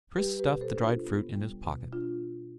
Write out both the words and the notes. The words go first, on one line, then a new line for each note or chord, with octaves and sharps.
Chris stuffed the dried fruit in his pocket.
G3 G4 B4
G4 B4
B2
A4 C5
D4
F4
B3
G3
B2
D4 F4